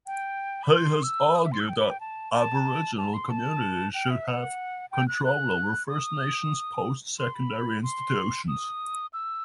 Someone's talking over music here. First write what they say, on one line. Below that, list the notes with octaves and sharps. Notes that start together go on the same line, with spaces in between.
He has argued that aboriginal communities should have control over First Nations post-secondary institutions.
G5
B5
C6
E6
D#6
E5
C6
E6
G5
B5
G5
A5
A5
A5
C6
A5
G5
E5
F#5
G5
F#6
F#6
D#6
C6
B5
C6
D#6
E6